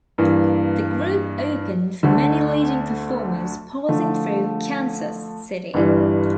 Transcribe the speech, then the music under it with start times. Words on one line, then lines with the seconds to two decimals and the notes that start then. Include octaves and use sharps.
The group opened for many leading performers passing through Kansas City.
0.18 G2 E3 A#3
2.03 D2 D3 A3 D4
3.88 D3 F3 A3
5.74 G1 G2 E3 G3